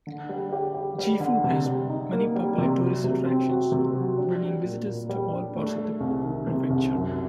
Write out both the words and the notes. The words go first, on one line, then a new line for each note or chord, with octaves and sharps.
Gifu has many popular tourist attractions, bringing visitors to all parts of the prefecture.
D3
G3
G4
G4
G3
D3
C3
G3
D#4
A#3
G3
C3
F#3
C3
C4
F#4
C3
F#3
D4
G3
A#2
A#2
G3
D4
A3
A3
C2
D#3
C3
C2
F#2